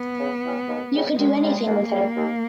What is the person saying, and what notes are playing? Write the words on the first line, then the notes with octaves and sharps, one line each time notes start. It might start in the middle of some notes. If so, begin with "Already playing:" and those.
You could do anything with her.
Already playing: B3
C#3
E3 G3 C#4
D#2
C#3 G3
D#2 G#3
C#3 G3
D#2 A#3
C#3 G3
D#2